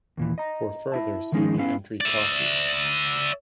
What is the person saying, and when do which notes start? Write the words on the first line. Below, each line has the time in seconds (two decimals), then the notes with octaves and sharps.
For further see the entry Coffee.
0.17 D#2 A#2 E3
0.38 D#5 A#5
0.92 E4 E5 A5
1.32 D#3 F3 G#3 C#4 D#4
1.57 B3 C#4 E4 F5
2.01 D5 E5